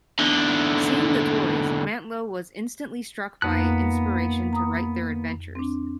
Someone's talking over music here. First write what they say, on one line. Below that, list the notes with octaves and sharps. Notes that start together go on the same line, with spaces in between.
Seeing the toys, Mantlo was instantly struck by inspiration to write their adventures.
E2 D3
F2 A#3 B3 D#4 F#6
A#5 D#6
C4 D4